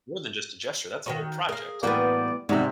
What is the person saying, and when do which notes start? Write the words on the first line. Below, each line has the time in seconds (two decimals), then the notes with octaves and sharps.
more than just a gesture, that's a whole project.
1.06 D#3 F#4 C#5
1.49 G#4 A#4 F5
1.83 A2 E3 G3 A#3 B3 F#4 D5 G5
2.49 G#2 C3 G3 G#3 E4 F#4